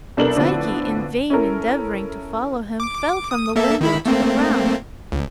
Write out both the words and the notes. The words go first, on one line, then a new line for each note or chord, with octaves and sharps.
Psyche, in vain endeavoring to follow him, fell from the window to the ground.
C2 B3 D4 A4 A#4 F#7
A2 D3 F3 B3 C4
C#4 E4 A4 A#4
D6
D#6
A#3 A4 E5
D#3 E4 B5
A3 A#3 C4
C#2